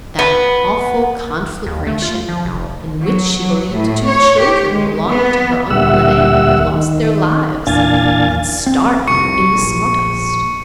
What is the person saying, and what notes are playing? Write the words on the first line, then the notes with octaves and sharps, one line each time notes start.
That awful conflagration, in which she believed two children belonging to her uncle and aunt had lost their lives, had started in the sawdust.
B3
D#2
A3
F4
F3
F1
F#3
F#3
A2
C#5
G4
G#3
B3
D2 A#2 G3 E5 F#5 E6
D#3
E2 A#2 D4 F5 G#5 A6
C4
F1 C2 C#6 C#7
A#1